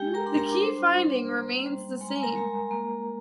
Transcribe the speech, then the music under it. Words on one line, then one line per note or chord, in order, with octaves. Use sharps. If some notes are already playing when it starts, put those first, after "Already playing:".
The key finding remains the same.
Already playing: G#3 G4 G5
A#4 A#5
D4 C6
A#4 A#5
D6
G3 C5 C6
G3
A#3
G3
G#3 C6
A#5
G#5
A#4 A#5
G#3
A#3